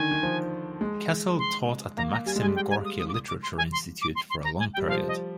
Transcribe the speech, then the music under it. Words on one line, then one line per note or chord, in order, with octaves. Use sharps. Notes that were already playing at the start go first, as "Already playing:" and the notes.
Kassil taught at the Maxim Gorky Literature Institute for a long period.
Already playing: D3 D#3 G#5
D#3
F3
G#3
C6
A#3 A#5
A#5
G3 G#5
G#3
G#5
G3
G5
G#5
D#6
D#6
D6
D#6
D6
C6
G#5
C6
D6
C6
C6
A#5
G#5
G5
G3
F3 F5
D#5